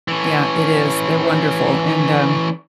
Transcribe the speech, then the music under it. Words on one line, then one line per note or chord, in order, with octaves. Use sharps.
Yeah. It is. They're wonderful, and, um,
E3 C#4